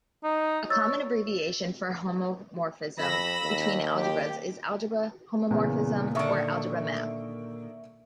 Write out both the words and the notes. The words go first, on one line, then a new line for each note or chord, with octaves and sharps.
A common abbreviation for "homomorphism between algebras" is "algebra homomorphism" or "algebra map".
D#4
C#5 E6 A6
F2 B5 E6 A#6
D#2
G4
E2 A#2 C#3
D3 D#3 E5 C#6